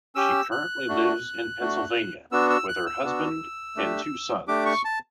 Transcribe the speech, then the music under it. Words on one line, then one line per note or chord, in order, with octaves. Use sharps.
She currently lives in Pennsylvania with her husband and two sons.
C#4 G4 E6
F#6
A3 D4 F#4
A3 D4 F#4
B3 D4 F#4 E6
E6
F#6
E6
B3 D4 F#4
A3 D4 G4
A3 D4 G4 D6
C#6
A5